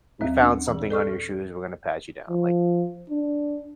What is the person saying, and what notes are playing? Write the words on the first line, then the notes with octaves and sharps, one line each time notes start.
we found something on your shoes, we're gonna pat you down," like
D#2 F#3 C4
B3 C#4 D4 F#5
A#2 E3
A4 D5 C#6 F6
F3
D4